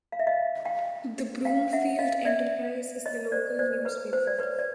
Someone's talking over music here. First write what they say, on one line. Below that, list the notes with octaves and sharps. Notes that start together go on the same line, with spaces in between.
The "Broomfield Enterprise" is the local newspaper.
F5
E5
D#5 F5
F5 G5
F5 G5
E5 F#5
D#5 F5
D5 E5
C#5 D#5
C5 D5
C5 D5
B4 C#5
C5
D5
B4 C#5
D5